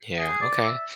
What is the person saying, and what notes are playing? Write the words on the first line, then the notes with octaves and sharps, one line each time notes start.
Yeah, okay.
G#4
D5
E5